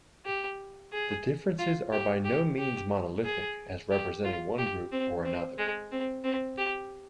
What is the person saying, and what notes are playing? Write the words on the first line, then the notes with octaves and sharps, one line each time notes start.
The differences are by no means monolithic as representing one group or another.
G4
G#4
F4
G4
G4
G4
G#4
G4
F4
G4
C4
C4
G#3
C4
C4
G4